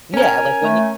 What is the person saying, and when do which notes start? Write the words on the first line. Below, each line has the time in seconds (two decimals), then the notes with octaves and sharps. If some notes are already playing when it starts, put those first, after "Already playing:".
yeah, like when you
0.14 C#4 A#4 G#5
0.63 A3